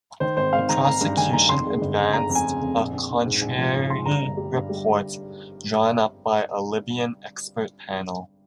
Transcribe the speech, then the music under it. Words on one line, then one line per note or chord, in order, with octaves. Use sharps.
The prosecution advanced a contrary report drawn up by a Libyan expert panel.
D#3 C5
G#1 C5
G#1 F5
D#3 A#5
G#1 A#5
G2 A#5
D#3 G#5
D#3 A#5
F2 C6
G#3
G1
C#3
G1 A#5
F2
G#5
C#3
F2
A#1
A#1
A#1
G#2
A#1
F3
G#2
G#2 C6
G2 A#5
G1
G3
G2
G3